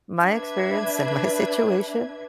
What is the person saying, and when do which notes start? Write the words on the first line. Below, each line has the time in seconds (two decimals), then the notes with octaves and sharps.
my experience and my situation,
0.20 D4 B4 E5 G#6